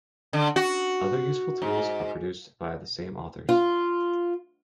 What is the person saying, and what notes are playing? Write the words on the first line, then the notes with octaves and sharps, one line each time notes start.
Other useful tools are produced by the same authors.
D3
F#4
G#2
F4